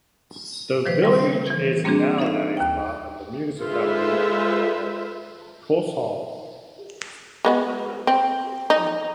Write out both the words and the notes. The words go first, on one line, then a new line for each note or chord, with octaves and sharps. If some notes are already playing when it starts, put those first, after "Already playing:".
The village is nowadays part of the municipality of Korsholm.
D#3 F3 B4 C5
C#3 G3 C6
E3 G#6
G3 A#3 C4 D4 F#4 G#4
D#4 A4 D5 E5 F5
D#2 G5
G#3 F4 A4 B4 C5 E5
G#3 B3 F#4
C4
D#4